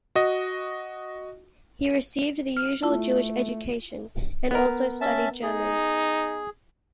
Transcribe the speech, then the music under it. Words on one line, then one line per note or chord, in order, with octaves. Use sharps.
He received the usual Jewish education, and also studied German.
F#4 D#5
F6
A3 E4 F4 A5
B3 A#4
C#4 E5 A5
D#4 G#4